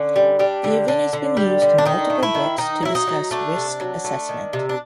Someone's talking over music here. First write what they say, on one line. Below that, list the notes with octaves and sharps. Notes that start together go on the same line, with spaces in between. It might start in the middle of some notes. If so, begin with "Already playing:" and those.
The event has been used in multiple books to discuss risk assessment.
Already playing: D3 C#4
G3
G3 D4
D3
D3
D3
G3
D3
D4
D#3 D#4
A3
E4
D#3
D#3 D#4
F#3 E4
D#4
F#3
A3 D4
C3
F#3
A3
D#3
C3
D4